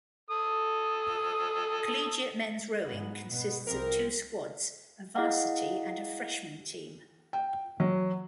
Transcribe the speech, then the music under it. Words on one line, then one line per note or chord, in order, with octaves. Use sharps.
Collegiate men's rowing consists of two squads, a varsity and a freshman team.
A4 D#6
G#2 B3
B2 B3
C2 F3 C4 A#4
E4 G#4 D#5 F5 F#5
G5
F#3